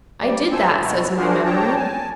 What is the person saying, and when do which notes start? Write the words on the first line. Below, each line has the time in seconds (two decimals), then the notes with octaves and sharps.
"I did that," says my memory.
0.21 G3 D5
0.52 A2 A4 C5 G#5 E6
0.83 B2 E4 F#4
1.17 D4 F#4 G#4 A#4 C5
1.45 D4 C#5 G5 A5 A#5
1.76 G#5 A5